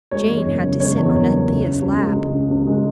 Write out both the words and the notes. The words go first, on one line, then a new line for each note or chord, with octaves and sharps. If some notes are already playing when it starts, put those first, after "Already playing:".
Jane had to sit on Anthea's lap.
G#3 C#5
E2
F#1
C#3
G#3 C#5
E2
F#1
C#3
C#2
C#3
C#2
G#3
C#2
C#3
C#2
G#3